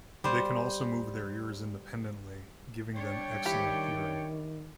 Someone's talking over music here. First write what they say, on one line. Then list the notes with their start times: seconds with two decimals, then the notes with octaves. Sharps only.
They can also move their ears independently, giving them excellent hearing.
0.24 G3 C5
2.95 G3 D4 C#5 G5
3.45 D#3 E4 G4